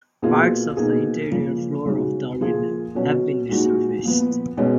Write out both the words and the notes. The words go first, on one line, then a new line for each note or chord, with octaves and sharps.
Parts of the interior floor of Darwin have been resurfaced.
B2 A#3 F4 G#4
B2 A#3 D#4 G#4
C#3 F3 A#3
C#3 G#3 D#4 F#4
A#2 F3 A#3 F4 G#4
B2 F#3 C#4 F#4
A#2 G#3 D#4 F#4
A#2 F3 B3
B2 G#3 C#4